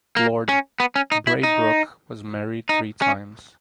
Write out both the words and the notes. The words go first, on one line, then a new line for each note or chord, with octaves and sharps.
Lord Braybrooke was married three times.
A#3
C#4
B3
C#4
D#4
E4
D#4
D#4
C#4